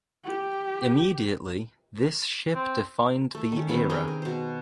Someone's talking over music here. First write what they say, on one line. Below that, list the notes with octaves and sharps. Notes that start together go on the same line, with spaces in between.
Immediately this ship defined the era.
G4
C4
A3
D#3 C#4
C3 D#3 B3 C#4
G#4 A#4 D#5 G5
A#4
B2 C5